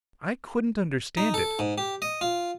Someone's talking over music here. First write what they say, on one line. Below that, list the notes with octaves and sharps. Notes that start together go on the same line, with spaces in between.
I couldn't understand it.
D#4
A4
G#2
G4
D#5
F4